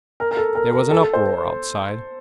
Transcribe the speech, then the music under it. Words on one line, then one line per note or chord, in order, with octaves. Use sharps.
There was an uproar outside.
A#4
A#4
A4
A#4
A#4
A4
A4
C5